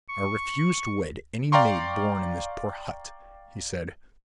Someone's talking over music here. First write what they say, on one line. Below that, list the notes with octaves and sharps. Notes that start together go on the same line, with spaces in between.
"I refuse to wed any maid born in this poor hut," he said.
C#6
D5 F5 G5 A#5 C6 C#6